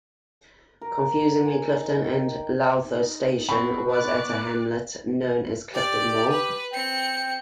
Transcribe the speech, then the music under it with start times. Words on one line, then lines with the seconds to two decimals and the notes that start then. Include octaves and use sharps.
Confusingly Clifton and Lowther Station was at a hamlet known as Clifton Moor.
0.81 A#4
1.46 G#5
1.77 D#4
2.04 G5
2.85 D#4
3.49 B3 C4 B5 C#6
3.90 D5 F#6
5.74 G4 D5
6.30 B4
6.73 C4 G5 C#7